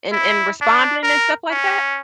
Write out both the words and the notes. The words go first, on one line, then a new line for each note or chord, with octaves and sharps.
and and responding and stuff like that?
E4
D4
A#4
C#4